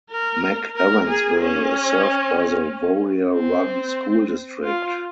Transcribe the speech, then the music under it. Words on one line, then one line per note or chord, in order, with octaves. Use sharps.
McEwensville is served by the Warrior Run School District.
A#4
A#4
G#4
C#4
C4
F4